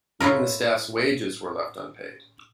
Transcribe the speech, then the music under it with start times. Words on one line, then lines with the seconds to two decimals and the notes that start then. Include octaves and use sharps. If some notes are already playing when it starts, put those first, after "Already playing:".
Even the staff's wages were left unpaid.
0.20 A2 E4 F4 A#4